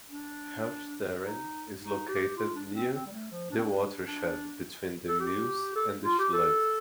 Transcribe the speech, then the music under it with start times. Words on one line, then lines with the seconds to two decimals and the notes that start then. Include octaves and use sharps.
Helchteren is located near the watershed between the Meuse and the Scheldt.
0.10 D4
1.23 D#4
1.80 D#4
2.08 G4
2.36 F4
2.55 D4
2.74 C4
2.93 C4
3.06 G3
3.12 A3
3.31 F3
3.50 D4
3.57 C4
3.64 D4
4.07 D4
5.09 A4
5.20 G4
5.75 A4
6.04 F4
6.19 G4
6.33 A4